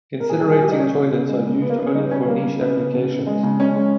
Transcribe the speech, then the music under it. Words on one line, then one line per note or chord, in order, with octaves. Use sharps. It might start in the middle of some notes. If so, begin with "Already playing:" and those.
Incinerating toilets are used only for niche applications.
A#4
A#2 G#4
G#4
G3
G#4
G3 G4
D#4
A#2 C#4
C#3
C#3
G#3
C#3
C#3 B3
A#3
C#3 B3
C#4
G3 D#4
B3
C#3 C#4
B3
G3 A#3
C#3
C#3 B3
C#3
C#3
C#3
G#3
C#3
G#3 C#4
G#3